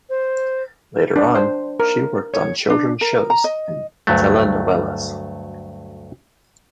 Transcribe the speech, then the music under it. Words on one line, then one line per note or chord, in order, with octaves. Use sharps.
Later on, she worked on children's shows and telenovelas.
C5
D4
C5
A#4
C#5
D4
A#4
A#5
D#5
D2 G2 F#3 A3